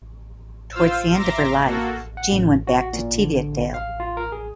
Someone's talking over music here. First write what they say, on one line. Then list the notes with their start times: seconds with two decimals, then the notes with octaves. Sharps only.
Towards the end of her life, Jean went back to Teviotdale.
0.72 F4 C5 F5 E6
1.15 E5 A#5 C6 D6 A#6
1.65 A#3 F#4 A4
2.17 F#5
2.32 A1
2.67 F#4
2.93 A#2
3.18 D3
3.74 F5
4.00 F4
4.17 A#4
4.32 G#4